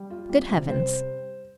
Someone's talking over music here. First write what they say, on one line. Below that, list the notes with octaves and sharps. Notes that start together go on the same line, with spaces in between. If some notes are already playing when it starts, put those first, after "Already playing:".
Good heavens!
Already playing: G3
F4
G3
C3
G3 C5